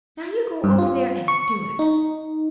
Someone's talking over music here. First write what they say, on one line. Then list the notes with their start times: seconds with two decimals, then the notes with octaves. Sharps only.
Now you go over there and do it!
0.64 G2
0.78 F4
1.28 C#6
1.79 D#4